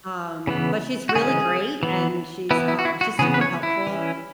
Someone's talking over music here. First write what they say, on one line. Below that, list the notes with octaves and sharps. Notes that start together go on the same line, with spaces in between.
Um, but she's really great, and she's, uh, she's super helpful.
C#3 E3 B3
F#4
C#3 E3 G#3 C#4 G#4
E3 B3
E3 B3 E4
E4
F#4
E4
F#4
C#3 E3 B3 G#4
B4
C#5
E4
E3 C#4